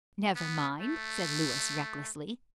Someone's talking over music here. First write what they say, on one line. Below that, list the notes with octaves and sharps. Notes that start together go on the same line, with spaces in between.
"Never mind," said Louis recklessly.
B3
A3